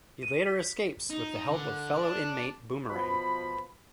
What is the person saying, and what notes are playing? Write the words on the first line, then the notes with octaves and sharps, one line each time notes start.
He later escapes with the help of fellow inmate Boomerang.
D#7
B6
D#4
D3
D4
B2 F3 B4 B5